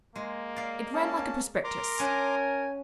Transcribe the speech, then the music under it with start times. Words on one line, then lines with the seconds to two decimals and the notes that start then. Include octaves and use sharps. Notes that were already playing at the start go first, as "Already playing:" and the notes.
It ran like a prospectus.
0.15 G#3 A#3
0.56 D5 F5
0.94 C#4 A5
1.64 A#4 A#5 C6 D6
1.99 C#4 F#5 G#5 A5